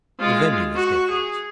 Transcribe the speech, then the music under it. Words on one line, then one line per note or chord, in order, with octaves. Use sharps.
The venue is different.
G#3 F4
F#4 C#6
G#4